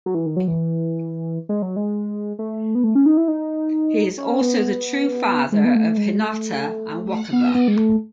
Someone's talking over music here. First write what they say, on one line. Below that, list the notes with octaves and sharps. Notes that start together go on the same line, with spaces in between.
He is also the true father of Hinata and Wakaba.
F#3
E3
D#3
F#3
E3
G#3
F#3
G#3
A3
B3
A3
C#4
D#4
E4
D#4
C#4
B3
G#3
B3
A3
G#3
A3
B3
B3
G#3
A3